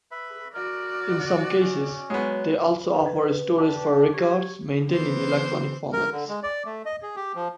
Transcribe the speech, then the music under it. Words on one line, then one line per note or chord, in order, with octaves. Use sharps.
In some cases, they also offer storage for records maintained in electronic formats.
B4 E5 B5
F#4 A#4 D5
C#4
F#3 G#3 B3
B4
D4 G4
G4 C#5
E3 B3 C5
A#4
D3
G#3
D5
A3
D#5
G#4
G4
F3